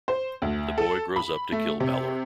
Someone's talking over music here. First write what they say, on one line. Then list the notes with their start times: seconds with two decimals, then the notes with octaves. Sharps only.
The boy grows up to kill Balor.
0.08 C5
0.42 D2
0.78 A4
1.16 B5
1.52 A3
1.80 C3